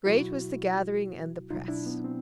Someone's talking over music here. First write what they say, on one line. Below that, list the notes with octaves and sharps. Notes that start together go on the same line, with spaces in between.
Great was the gathering and the press.
C#2 B2 F#3 E4 F#4
C2 B2 F#3 D#4 F4
D4 E4
B3
C4